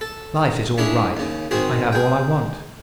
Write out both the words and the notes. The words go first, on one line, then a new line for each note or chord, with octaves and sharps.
Life is all right; I have all I want.
A4
C#4 D4 E4 G#4
D#2 C#3
G#2 D#3 C4 F#4 G#4
G#4 G5